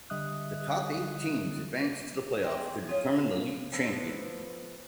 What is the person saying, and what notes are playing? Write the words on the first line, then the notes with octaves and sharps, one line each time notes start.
The top eight teams advance to the playoffs to determine the league champion.
D3 G3 D#5 E5 D#6 F#6
G#3 C4
C#4 F4 G#4
F5
F3 B3 A4